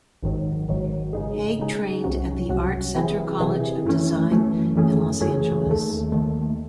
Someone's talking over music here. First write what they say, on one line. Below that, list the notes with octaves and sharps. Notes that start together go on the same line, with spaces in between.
Hague trained at the Art Center College of Design in Los Angeles.
G#1 G#2 D#3 F#3
G#1 G#2 D#3 F#3
C#3 G#3 D#4 G#4
C#3 G#3 D#4 G#4
C2 C3 F#3 C#4 F#4
C2 C3 F#3 C#4 F#4
C3 E3 C4 E4 G#4
C3 E3 C4 E4 G#4
F#2 E3 A3 C#4
F#2 E3 A3 C#4
F#2 E3 A3 C#4 G#4
F#2 E3 A3 C#4 G#4
D#2 D#3 A3
D#2 D#3 A3